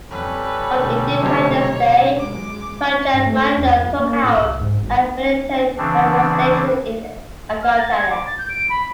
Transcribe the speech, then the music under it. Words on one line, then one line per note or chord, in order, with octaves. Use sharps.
On Independence Day Prajamandal took out a militant manifestation in Agartala.
F2 G3 C#4 A4 B4
B2 D3 A3
B1 C3 C#5
F#2 G#3 D6
G2
A3
E2
F2
A#3
A2
C2
G#2
G#1
C#3 E3 C4 D4
F6
A6
G#6
D6
A6
G6
D7
B5